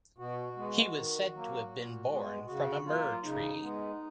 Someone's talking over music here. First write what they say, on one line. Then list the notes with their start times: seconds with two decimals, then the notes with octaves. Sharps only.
He was said to have been born from a myrrh-tree.
0.18 B2 F#4
0.57 G#3 B3
0.95 D#3
1.33 F#3 A#3
1.71 A#2
2.09 G#3 B3
2.46 C#3 F#4
2.85 F#3 A#3 F4
3.23 C#3 D#4
3.61 G#3 B3